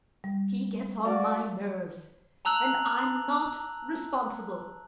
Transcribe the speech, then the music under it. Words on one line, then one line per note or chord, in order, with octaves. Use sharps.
She gets on my nerves, and I'm not responsible.
G3
F#4 D5 F5 D6
A5 A#5 E6 F#6 F7 F#7